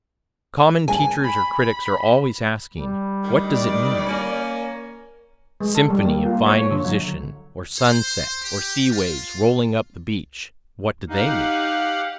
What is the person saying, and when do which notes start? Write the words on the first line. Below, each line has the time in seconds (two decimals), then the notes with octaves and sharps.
Common teachers or critics are always asking "What does it mean?" Symphony of fine musician, or sunset, or sea-waves rolling up the beach--what do they mean?
0.88 G#5
1.24 B5
1.59 B5
2.74 G3
3.23 D2 D#3
3.55 D5
4.06 A#3 C#4
4.50 A#4
5.61 G#3
5.75 A4
5.90 G3
6.05 A#3
6.25 F4
6.46 C#5
6.71 D3
6.84 F#3
7.78 C5
8.43 G4
8.92 F4
11.09 D#4 G4 F5 F#5